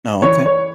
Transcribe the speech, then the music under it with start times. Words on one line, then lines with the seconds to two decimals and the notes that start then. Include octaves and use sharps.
Oh, okay.
0.22 E3 C#5
0.46 C#5